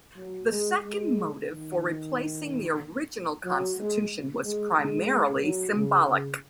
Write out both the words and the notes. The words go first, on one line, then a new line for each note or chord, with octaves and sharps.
The second motive for replacing the original constitution was primarily symbolic.
F#3
G#3
G#3
D#3
F#3
G#3
G#3
G#3
F#3
C#3
C#3